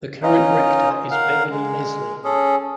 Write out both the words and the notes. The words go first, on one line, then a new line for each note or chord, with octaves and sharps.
The current Rector is Beverly Leslie.
C#4 D#4 F4 D#5
A#4 F5 F#5
G#3
C#4 G#4 A4